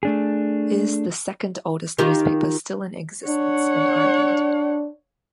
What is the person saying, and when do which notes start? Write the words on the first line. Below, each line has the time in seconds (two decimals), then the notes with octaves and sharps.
It is the second oldest newspaper still in existence in Ireland.
0.03 A3 D4 G#4
1.98 D#3 F4 G4
3.27 D4 C#5 F#5